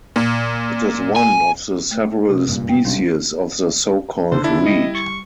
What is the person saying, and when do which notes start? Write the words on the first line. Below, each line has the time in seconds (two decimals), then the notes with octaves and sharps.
It is one of the several species of the so-called reed.
0.16 A#2
1.16 G#5
1.91 A3
2.29 C3
2.47 F#1 G2 A#2
2.69 G5
2.85 B1 C3 G3 C#4 D4
4.32 D3 C5
4.44 D4 E4
4.66 G3 D#5
4.95 C#6